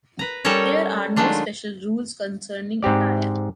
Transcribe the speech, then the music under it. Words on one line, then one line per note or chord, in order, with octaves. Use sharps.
There are no special rules concerning attire.
B4 A#5
G3 C#4 A4 A#4 C#5
D#3 F#3 G#3 A3 D4 F4
G#2 C4 G4 D5